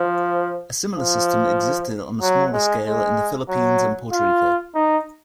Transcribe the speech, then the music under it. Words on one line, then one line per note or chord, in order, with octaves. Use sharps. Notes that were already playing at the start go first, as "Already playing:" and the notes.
A similar system existed on a smaller scale in the Philippines and Puerto Rico.
Already playing: F3
F3
F#3
G#3
G#3
F#3
F4
D#4